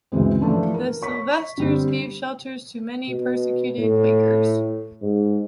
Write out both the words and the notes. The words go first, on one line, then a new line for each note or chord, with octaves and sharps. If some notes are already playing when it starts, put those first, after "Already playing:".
The Sylvesters gave shelter to many persecuted Quakers.
D2 C#3 E3 G#3 C4
E3 F3 A3 D4 F4
A#4
C#5 C#6 B6
D3 G3 C4
B2
A2
G#2